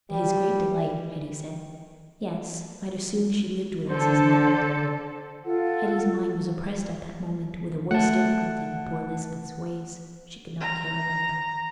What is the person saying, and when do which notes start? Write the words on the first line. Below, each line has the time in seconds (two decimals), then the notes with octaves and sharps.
To his great delight, Hetty said, "Yes; I'd as soon she lived with us as not." Hetty's mind was oppressed at that moment with a worse difficulty than poor Lisbeth's ways; she could not care about them.
0.10 G3
3.89 D3 A4 C5
5.44 F4 A4 F#5
7.91 A3 F#5 A5
10.60 A#5